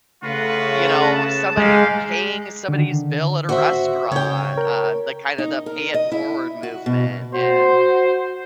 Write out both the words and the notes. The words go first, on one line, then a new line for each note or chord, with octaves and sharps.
you know, somebody paying somebody's bill at a restaurant, uh, the kind of the pay-it-forward movement, and,
C#3 A3 F4 F#4 B4
B3 A5
G#3 D#4 G4 F5
D3 D#3
F#4 C5 E5
C#3 C#5 G5
A#4
D#4
A#4
D#5
E4
F#4
B2
F#4 C5